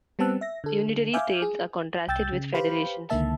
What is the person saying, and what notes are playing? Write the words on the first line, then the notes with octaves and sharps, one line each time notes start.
Unitary states are contrasted with federations.
G3 B3 C4 A5 E6 F#6
E5 A#6
D3 A4
E5 F5 G#5 D6 F6 G6
G#4
C2 G5 E6 G6 A6
C#3
G4 B4 C5 F5 G5 B5
C#2 D3 D#3 A#3 E5 A5